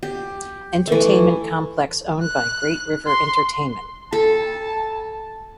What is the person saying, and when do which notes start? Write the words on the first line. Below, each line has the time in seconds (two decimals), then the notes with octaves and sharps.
Entertainment Complex owned by Great River Entertainment.
0.03 G4
0.87 E3 A3
2.23 F#6
3.07 C6
4.13 A4 A5